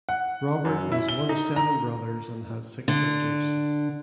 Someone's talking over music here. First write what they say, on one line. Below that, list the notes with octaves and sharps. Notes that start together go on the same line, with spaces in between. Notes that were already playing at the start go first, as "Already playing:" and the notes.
Robert was one of seven brothers and had six sisters.
F#5
F#2
E4
G7
D#4
A#5
D3